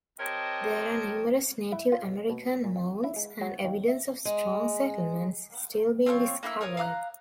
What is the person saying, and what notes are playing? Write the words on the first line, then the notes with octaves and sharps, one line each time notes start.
There are numerous Native American Mounds and evidence of strong settlements still being discovered.
C4 G4 A#4 C#5 D#5 A5
E4
F4
B1
B2
A#2
F2
E4
G#3
F#3
D#2
E5
G#3
C4 F4 A#4 C#5
A#3 E4 F#5 E6
A#4 C#5 F5 D#6
F5 A#5 D#6 F#6